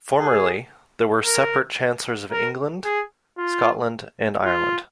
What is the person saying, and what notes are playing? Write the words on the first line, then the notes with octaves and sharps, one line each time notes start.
Formerly, there were separate Chancellors of England, Scotland and Ireland.
G#4
A#4
A#4
G#4
F4
F4